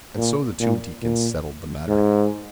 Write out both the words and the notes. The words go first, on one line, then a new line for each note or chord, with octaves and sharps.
And so the two deacons settled the matter.
A#2
A#2
A#2
G#2